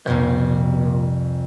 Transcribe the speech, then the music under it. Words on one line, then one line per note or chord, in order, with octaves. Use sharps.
and, you know,
F1 C2 F2 C3